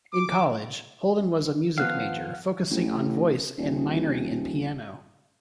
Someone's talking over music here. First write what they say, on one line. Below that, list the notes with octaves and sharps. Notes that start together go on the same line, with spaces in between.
In college, Holden was a music major, focusing on voice and minoring in piano.
D6
D#3 F3 B3 F5 F#5 F#6
A1
D#1